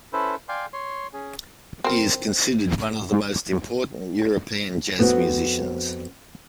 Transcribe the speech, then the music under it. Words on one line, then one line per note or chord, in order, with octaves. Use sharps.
He is considered one of the most important European jazz musicians.
C#4 E4 A4 B4 C5
D5 F5 G5 G#5 C6
C#5 C6
C#4 G#4
C4 A#4
F2 B3 C4 F4 F#4